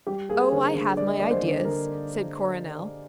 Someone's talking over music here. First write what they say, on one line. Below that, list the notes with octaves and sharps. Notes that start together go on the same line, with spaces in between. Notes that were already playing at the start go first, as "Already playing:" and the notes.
"Oh, I have my ideas," said Coronel.
G3 G4
A#3 G#4
D3 C5
D3
G3 D5
D#5
A#3 D5
C5
D3 C5
D3 A#4